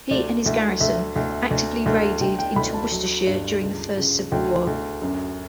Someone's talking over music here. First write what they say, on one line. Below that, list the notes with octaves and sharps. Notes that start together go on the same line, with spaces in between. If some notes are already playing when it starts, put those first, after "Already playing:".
He and his garrison actively raided into Worcestershire during the First Civil War.
D2 D5
D2 E5
D2 E5
D2
D2
D2
D2 G5
G5
D2 B5
A5
F#3
G2
C#2
C#2
D2 G5
D2
F#2